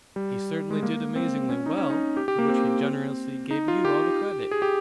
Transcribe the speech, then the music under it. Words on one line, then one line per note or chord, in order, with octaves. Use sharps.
"He certainly did amazingly well, for which he generously gave you all the credit."
G3
G#3
A#3
C4
C#4
D#4
C#4
D#4
G4
G4
A#3
C4
D#4
F4
G4
G#4
G4